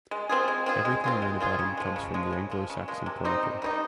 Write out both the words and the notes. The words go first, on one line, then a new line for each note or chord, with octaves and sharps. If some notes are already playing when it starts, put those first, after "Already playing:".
Everything known about him comes from the "Anglo-Saxon Chronicle".
G#3
C4 F4 G#4
G#3
C4 F4 G#4
G#3
C4 F4 G#4
G#3
C4 F4 G#4
C#3
F3 G#3
C#3
F3 G#3
C#3
F3 G#3
C#3
F3 G#3
C3
G3 C4 D#4
C3
G3 C4 D#4